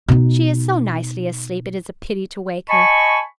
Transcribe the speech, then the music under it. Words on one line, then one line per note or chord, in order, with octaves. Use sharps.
She is so nicely asleep, it is a pity to wake her.
B2 D#4
D#5 G#5 A5 B5 C#6